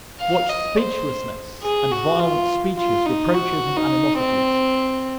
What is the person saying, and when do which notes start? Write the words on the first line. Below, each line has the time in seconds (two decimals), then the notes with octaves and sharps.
What speechlessness and violent speeches,--reproaches and animosities!
0.21 F5
0.49 D#5
0.78 C5
1.63 G#4
1.92 F#4
2.20 F4
2.77 F4
3.06 D#4
3.34 F#4
3.77 D#4
4.20 C4